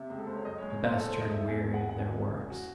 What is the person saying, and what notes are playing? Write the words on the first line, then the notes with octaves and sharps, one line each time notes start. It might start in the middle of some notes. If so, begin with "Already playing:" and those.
The best turned weary of their works.
Already playing: C3 E5
C#2
A4
C#2 C5
C#5
F#2 D#5
C#5
G#3
C#5
F#2 C5
E2 A4
C5
E1
D#5
E1 E5
E2 G#5
E2
F#5
C3
F#5
E3 G#5
C#2
C#3
F#4